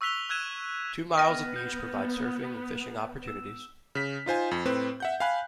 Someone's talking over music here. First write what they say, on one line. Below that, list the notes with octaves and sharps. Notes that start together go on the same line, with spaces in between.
Two miles of beach provide surfing and fishing opportunities.
C#6 E6 F#6 B6 F7 G7
E6 F#6 G#6 D#7 E7
B3 D#5 G5 F6 A#6 D#7
G6
E6 E7
C#3 B6
D#4 F4 C5 G#5
F2
A2 C4 B4
E5 F#5 G6
F5 G5 G#5 B5 F#6